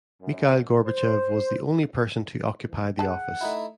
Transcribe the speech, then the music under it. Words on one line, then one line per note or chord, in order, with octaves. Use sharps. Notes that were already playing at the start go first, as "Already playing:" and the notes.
Mikhail Gorbachev was the only person to occupy the office.
F#2
C5
G#4 F#5 A5
A3 D#4 E4